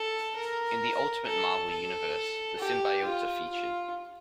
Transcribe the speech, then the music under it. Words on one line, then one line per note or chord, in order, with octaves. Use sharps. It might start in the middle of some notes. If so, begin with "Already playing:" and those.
In the "Ultimate Marvel" universe, the Symbiotes are featured.
Already playing: A4
A#4
A4
A4
G4
F4
F4